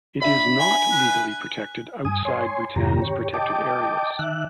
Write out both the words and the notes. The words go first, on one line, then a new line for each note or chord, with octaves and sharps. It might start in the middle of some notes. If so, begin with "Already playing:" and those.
It is not legally protected outside Bhutan's protected areas.
D4 E5 B5
G#5
B4
G2 G#5 D#6
C#5 G#5 C6
F2 G#2 C3 D#3 G4 A#5
G4 C#5
D#5 G5 A5 D6
D#3 E5 F#6